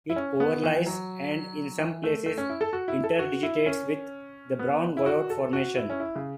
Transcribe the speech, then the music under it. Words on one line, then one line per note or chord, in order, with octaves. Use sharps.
It overlies, and in some places interdigitates with, the Barun Goyot Formation.
E4
C#4
B3
E3
F#3
E3
A3
A3
C#4
E4
A4
F#4
E4
A4
F#4
E4
C#4
B3
E4
F#4
A4
F#4
E4
C#4
E4
C#3